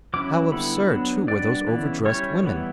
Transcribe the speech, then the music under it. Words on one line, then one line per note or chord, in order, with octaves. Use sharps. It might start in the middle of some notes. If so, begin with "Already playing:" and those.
How absurd, too, were those overdressed women!
F#3 C#4 E4 D6
D3 G3 B3 E4 B5
F#3 B3 D4
G3 B3 D4 D5
C#3 E3 B3 E4
G3 C#4 E4 C#5
E3 G3 B3 E4